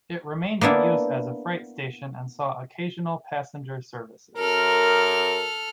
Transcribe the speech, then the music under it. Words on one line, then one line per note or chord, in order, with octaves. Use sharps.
It remained in use as a freight station and saw occasional passenger services.
A#3 B3 D4 E4
F#2 A4 A#4 F6